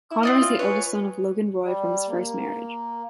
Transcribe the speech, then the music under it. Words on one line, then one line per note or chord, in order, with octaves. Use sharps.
Connor is the eldest son of Logan Roy from his first marriage.
E4
C4 D5 D#5
F4
G#4 B4 C#5
G3
A#3